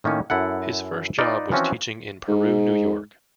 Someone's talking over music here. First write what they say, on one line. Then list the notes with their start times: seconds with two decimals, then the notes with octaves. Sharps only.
His first job was teaching in Peru, New York.
0.04 A2 D#3 A#3 C#4
0.30 F#2 E4 A4 F#5
1.18 D#4 F4 B4 D5 F5
1.51 E3 F3 C4 C#4 F#4
2.28 G#2